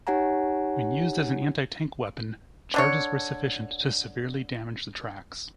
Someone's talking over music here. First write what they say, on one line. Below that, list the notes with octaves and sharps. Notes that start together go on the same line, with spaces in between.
When used as an anti-tank weapon, charges were sufficient to severely damage the tracks.
D#4 G4 C#5 F#5 G#5 A#5
D3 D4 C#5